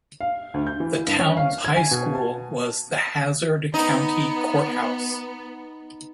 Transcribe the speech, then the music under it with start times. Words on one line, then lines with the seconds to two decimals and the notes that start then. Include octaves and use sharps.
The town's high school was the Hazzard County Courthouse.
0.21 F5
0.54 D2
0.67 G6
0.80 E3
1.07 G2
1.19 C#4
1.37 F5
1.65 G#6
1.76 G#5
1.91 B2
2.15 A5
3.74 B3 D#4